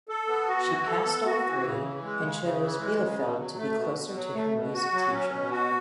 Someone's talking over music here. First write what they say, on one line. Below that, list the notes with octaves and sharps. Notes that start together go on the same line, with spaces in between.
She passed all three and chose Bielefeld to be closer to her music teacher.
A4
B3
F#4
E3
A4
B3
F#4
E3
C#3
E3
G#3
C#3
C#3
E3
G#3
C#3
B2
F#3
A3
B2
B2
F#3
A3
B2
F#4
F#3
C#4
B2
F#4